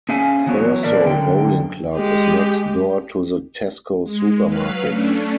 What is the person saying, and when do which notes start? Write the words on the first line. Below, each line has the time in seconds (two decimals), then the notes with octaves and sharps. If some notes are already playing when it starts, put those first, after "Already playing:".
Thurso Bowling Club is next door to the Tesco supermarket.
0.09 C#4 G#4 E5 F5 G#5
0.46 E3 F#3 B3 G#4 C#5
0.83 A#2 D4 A#4 D5 E5
1.02 F#2 D3 G5
1.95 G#3 G4
4.04 G#3
4.46 F#3 B4 F5 F6
4.85 A3 C#4 D4